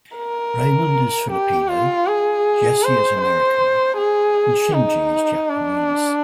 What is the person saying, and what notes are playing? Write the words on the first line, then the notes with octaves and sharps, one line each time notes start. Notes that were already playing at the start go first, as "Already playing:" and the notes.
Raimund is Filipino, Jesse is American, and Shinji is Japanese.
A#4
G4
F4
G#4
C5
C5
G#4
D#4
D4